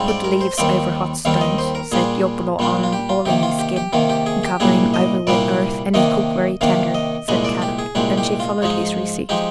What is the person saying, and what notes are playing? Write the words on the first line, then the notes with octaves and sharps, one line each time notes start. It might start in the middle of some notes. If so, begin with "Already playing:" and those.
"Put leaves over hot stones, set yopolo on, all in his skin, cover him over with earth and he cook very tender," said Kadok, and she followed his receipt.
Already playing: G#2 G3 C4 F4
D5
A#4
C5
D#2 D#3 G3 C4 F4 D5
D#2 D#3 G3 C4 F4 F5
D#5
C5
A#4
A#2 G3 D4 F4 G#4
A#2 G3 D4 F4
F4
G4
F4
C3 D#3 A#3 G4
F4
G4
G4
C3 D#3 A#3 F4
G4
G#4
G4
C2 A#2 G3 A#3 D4 G#4
D#5
C2 A#2 G3 A#3 D4 D5
C3 D#3 A#3 D4 D#5
C3 D#3 A#3 D4 F5
D#5
C2 A#2 G#3 D4 D#5
D5
G4
G#4
C2 A#2 G#3 D4 G4
G4
F4
G#2 F3 G#3 D#4
F3 G#3 D#4 G4